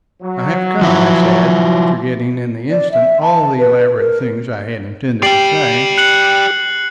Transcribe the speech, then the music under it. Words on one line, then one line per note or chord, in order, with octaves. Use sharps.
"I have come," I said--forgetting in the instant all the elaborate things I had intended to say.
F#3
F3 E4
D5
E5
A5
B4
A#4
G4 D5 G5 C7 F#7
F#6 C#7 F#7